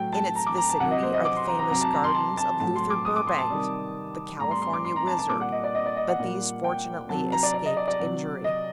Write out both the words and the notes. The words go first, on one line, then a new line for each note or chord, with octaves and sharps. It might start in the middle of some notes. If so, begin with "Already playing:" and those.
In its vicinity are the famous gardens of Luther Burbank, the "California wizard," but these fortunately escaped injury.
Already playing: A2 F#3 G5
A5
A#5
D6
A#5
A5
C3 F#3 F#5
D#5
C5
D#5
D6
C6
A#5
A#5
C3 F#3 A#5
A5
A#5
C6
A5
A5
A2 F#3 A5
C6
D6
D#6
D6
C6
A5
C3 D#3 G3
A2 G3 A#5
C6
C6
D6
C6
A#5
A5
A5
A#2 G3 D6
F#5
D#5
D5
D#5
D5
D#5
F#5
A#2 G3
G5
C3 F#3 A5
A#5
D5
D5
D#5
D5
D5
C3 F#3
D#5